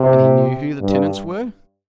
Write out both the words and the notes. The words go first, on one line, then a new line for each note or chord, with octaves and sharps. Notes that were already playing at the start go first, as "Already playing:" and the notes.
"And he knew who the tenants were?"
Already playing: C3
G2